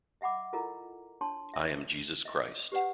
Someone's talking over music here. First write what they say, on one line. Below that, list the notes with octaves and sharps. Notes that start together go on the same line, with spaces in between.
I am Jesus Christ.
D#5 E5 F#5 B5 D6
E4 F4 A4 A#4 D#5 A#5
D4 C#5 A5 C6
E5
D#5 E5
G4 B4 D5 F#5